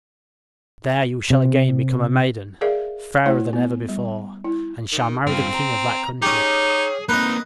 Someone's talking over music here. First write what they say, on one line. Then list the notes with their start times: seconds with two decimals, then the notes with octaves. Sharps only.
There you shall again become a maiden, fairer than ever before, and shall marry the king of that country.
1.30 C3
2.61 G#4 A#4 D5 E5 F5
3.26 A3 E4 C5 C#5
3.53 B3
3.89 G3
4.44 E4
4.92 D#3
5.27 G2 C4 F4
5.54 A#5
6.22 C#4 D#4 G4 G#4
7.09 A#3 C4 D#4 B4 D#5